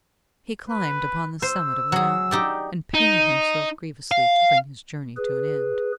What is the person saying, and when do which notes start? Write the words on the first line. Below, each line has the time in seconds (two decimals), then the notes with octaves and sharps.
He climbed upon the summit of the mountain, and pained himself grievously to bring his journey to an end.
0.70 B4
1.42 C5 E6
1.92 F#3 G#4
2.31 D#4 G4 D5
2.94 D#4
4.12 F5
5.17 G#4 B4